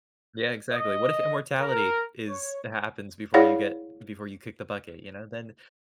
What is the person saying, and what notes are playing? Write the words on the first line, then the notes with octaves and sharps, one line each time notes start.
Yeah, exactly, what if immortality is h happens before you get before you kick the bucket, you know, then
D#5
A#4
C#5
E4 G#4 C#5 D5 F5 F#5